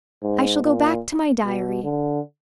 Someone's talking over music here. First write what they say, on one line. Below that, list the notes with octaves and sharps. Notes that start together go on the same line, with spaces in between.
I shall go back to my Diary.
G#2
A#2
B2
D3